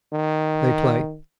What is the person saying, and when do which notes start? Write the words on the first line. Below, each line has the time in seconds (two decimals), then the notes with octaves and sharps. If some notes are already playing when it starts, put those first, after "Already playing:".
They play.
0.13 D#3